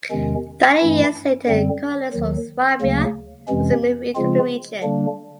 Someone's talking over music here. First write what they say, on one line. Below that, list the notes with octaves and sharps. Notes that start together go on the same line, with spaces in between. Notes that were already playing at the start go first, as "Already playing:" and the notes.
Thirty years later colonists from Swabia also moved into the region.
E2 C3 D#3 G#3 C#4
G2 E3 A3 C#4 E4
F#2 D3 G3 C4
D#2 D#3 F#3
D2 C#3 F#3 A#3
F2 C3 E3 G#3 C#4
C#3 F3 G#3 C4 F4
D3 G3 A#3 D4